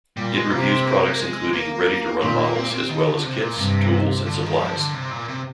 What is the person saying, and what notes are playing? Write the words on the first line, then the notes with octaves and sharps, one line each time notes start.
It reviews products including ready-to-run models as well as kits, tools and supplies.
A#2 G3
G#3
C3 A#3
C4
A#3
G#3
A#3
A#2 C4
A#3
C4
A#3
C4
D#3
D3
C3
A#2
G2 C3
D3
D#3
F3
D3
C3
A#2
C3